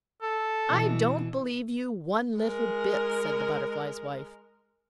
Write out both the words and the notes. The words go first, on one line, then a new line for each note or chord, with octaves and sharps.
'I don't believe you one little bit,' said the Butterfly's Wife.
A4
B2 E3
G#3 A#4